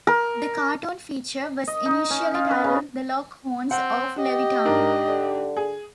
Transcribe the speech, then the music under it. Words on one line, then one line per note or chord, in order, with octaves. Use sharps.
The cartoon feature was initially titled The Lockhorns of Levittown.
A#4
D#5
D#4
C#4
F4
B4
C#3
C4 F#5
G4 D#5
G#2 D4 A#4
D3
G#4